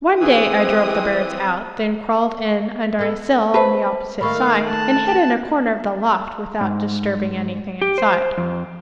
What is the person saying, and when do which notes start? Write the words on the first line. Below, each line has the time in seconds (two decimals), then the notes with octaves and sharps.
One day I drove the birds out, then crawled in under a sill on the opposite side, and hid in a corner of the loft without disturbing anything inside.
0.22 E3 C4 G#4 D#6
2.99 B3 A4
3.54 B4 C5 A5
4.21 D#3 A3 A#3 F5 B5 C#6
4.63 A5 F#6
6.61 G#2
7.82 G4
7.98 C5
8.38 F2